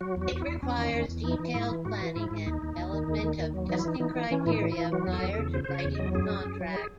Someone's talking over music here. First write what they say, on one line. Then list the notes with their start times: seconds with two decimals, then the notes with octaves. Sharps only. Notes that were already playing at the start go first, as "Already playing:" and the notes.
It requires detailed planning and development of testing criteria prior to writing the contract.
0.01 F#3 F#4
0.17 E2 F#4
0.32 E2 F#4
0.42 E4
0.47 E2
0.62 E2 C#4
0.78 D#3
0.93 E2
1.08 E2
1.24 E3 D#4
1.39 E3
1.54 G#2 E4
1.70 E3
1.85 G#2 F#4
2.00 E3
2.16 G#2 E4
2.31 G#2
2.46 D#2 D#4
2.62 D#2
2.77 D#2
2.93 D#3
3.08 D#2
3.23 D#3
3.39 D#2
3.54 F#3
3.69 E3 D#4
3.79 E4
3.85 E3 D#4
4.00 E3 D#4
4.16 E3
4.31 E3 C#4
4.46 A2 E4
4.51 D#4
4.62 E3
4.72 E4
4.77 E3
4.92 F#3 F#4
5.07 E2
5.13 A4
5.23 E2
5.33 A4
5.38 C#3
5.54 C#3 C5
5.64 C#3 C5
5.74 C#5
5.84 E2
5.95 F#3 D#5
6.15 F#2 G#4
6.30 F#2
6.46 F#2
6.61 F#3
6.76 G#4